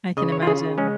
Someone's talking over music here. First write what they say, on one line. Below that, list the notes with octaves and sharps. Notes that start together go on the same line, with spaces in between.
I can imagine.
C#3 D#5
C#5
F4
C#3 G#4
G#3 C#4